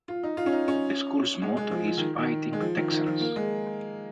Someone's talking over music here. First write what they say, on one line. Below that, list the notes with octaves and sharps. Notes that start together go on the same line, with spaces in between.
The school's motto is "Fighting Texans".
F4
D#4
F4
C#4
D#4
C#4
G#3
G#3
F3
F3
D#3
D#3
G#3
F3
D#3
D#3
F3
A#3
G#3